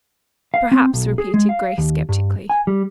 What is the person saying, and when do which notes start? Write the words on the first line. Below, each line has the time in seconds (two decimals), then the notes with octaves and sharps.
"Perhaps," repeated Grace sceptically.
0.54 F5
0.72 C4
0.94 B1
1.18 G#4
1.34 G#3
1.49 F5
1.78 D#2
2.09 G2
2.50 G#5
2.67 G3